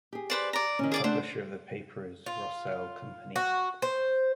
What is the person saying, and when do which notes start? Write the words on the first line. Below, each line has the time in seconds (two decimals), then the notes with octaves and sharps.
The publisher of the paper is Rossel company.
0.13 G4 G#4
0.30 B4 C5 D5
0.53 D5 A#5
0.79 D#3 C#4
0.92 G#4 D5 D6
1.04 A3 D4 C5 F#5
2.26 F4
3.36 F#4
3.82 C5